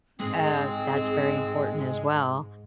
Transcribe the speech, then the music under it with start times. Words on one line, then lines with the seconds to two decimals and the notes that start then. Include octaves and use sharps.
Uh, that's very important as well.
0.19 G#2 G#3 C4 G#4